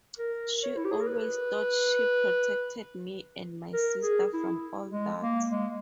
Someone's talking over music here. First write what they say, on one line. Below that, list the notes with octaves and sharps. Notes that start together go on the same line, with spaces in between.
She always thought she protected me and my sister from all that.
A#4
C#5
E4
G4
G#4
A#4
B4
A#4
G#4
E4
G#3
A#3
G#3